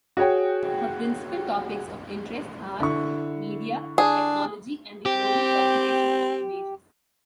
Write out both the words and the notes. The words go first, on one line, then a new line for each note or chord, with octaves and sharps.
Her principal topics of interest are media, technology, and the global circulation of images.
F#4 G#4 C#5 G5
D3 E4 C#6
D4 G#4
C4 G4